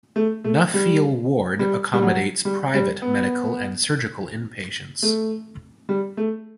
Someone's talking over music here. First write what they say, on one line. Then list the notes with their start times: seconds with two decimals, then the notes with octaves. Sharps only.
Nuffield ward accommodates private medical and surgical inpatients.
0.16 A3
0.44 A3
0.74 G3
1.59 G3
1.93 G3
2.02 F#3
2.45 G3
2.74 G3
3.02 B3
5.03 A3
5.89 G3
6.17 A3